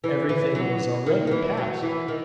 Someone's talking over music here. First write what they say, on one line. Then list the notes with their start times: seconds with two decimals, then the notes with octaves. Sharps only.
Everything was already past.
0.04 E3
0.29 E3
0.55 F#3
1.06 D#3
1.27 D#3
1.31 E3
1.57 F#3
1.82 E3
2.08 D#3